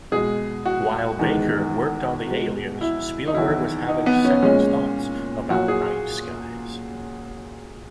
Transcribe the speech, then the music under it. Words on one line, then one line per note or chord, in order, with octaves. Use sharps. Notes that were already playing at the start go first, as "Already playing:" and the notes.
While Baker worked on the aliens, Spielberg was having second thoughts about "Night Skies".
B2 G#3 G#4
F#4
E2 D#3 G#3
B2 G#3
E4
D#4
E2 D#3 F#3 E4
D#4
B3
C#4
A#2 G#3 C#4
A#2 F#3 F#4
G#4